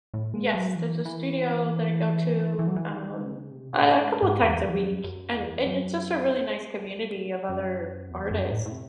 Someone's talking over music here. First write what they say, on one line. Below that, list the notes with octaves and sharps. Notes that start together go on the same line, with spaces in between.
yes, there's a studio that I go to, um, a couple of times a week, and and it's just a really nice community of other artists.
A2
G#3
F#3
E3
E3
E3
F#3
E3
D#3
C#3
C3
C3
A2
G#2
G#2
E2
E2
F#2
F#2
E2
F#2
F#2
E2
F#2
A2
A2
C3